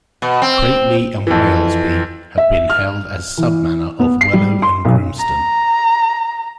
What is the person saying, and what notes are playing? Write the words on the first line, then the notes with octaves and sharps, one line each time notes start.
Cratley and Walesby have been held as Sub Manor of Wellow and Grimston.
B2
C4
F2 E3
E5
F6
E3
B3
C7
G3
C6
B1
A#5